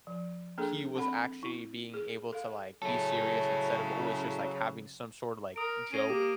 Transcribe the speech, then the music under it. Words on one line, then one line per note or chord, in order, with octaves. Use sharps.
he was actually being able to, like, be serious instead of always just, like, having some sort of, like, joke.
F3
A#3 D4 G#4 A4
C4 A4 F#5 B5
E4
G#4
A4 F5
C#3 F#3 E4 A4
A#4 D#6 D7
C#4 A#6 C7 D#7
A#3 G4 D6